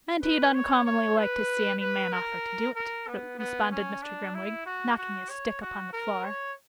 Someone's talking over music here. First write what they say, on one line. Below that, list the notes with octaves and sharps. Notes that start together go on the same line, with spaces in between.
'And he'd uncommonly like to see any man offer to do it,' responded Mr. Grimwig, knocking his stick upon the floor.
B4
C#5
C#5
B4
B4
A#4
A#4
B3
B3
C#4
D4
E4
F#4
F#4
C#5
F#4
A#4
C#5